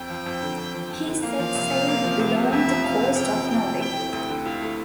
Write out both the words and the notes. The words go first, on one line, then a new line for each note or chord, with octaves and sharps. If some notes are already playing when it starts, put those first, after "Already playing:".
He set sail along the coast of Norway.
Already playing: F2 G5
F3
F2
D3
F2
F3
F2
D3
A#3 F5
F3
C2
C3
A#3
F3
C2
C3
F2 E5
F3
F2 F5
C3
F2 G5
F3
F2 G5
C3
E4 G5
A3
D2
D3
E4 F5
A3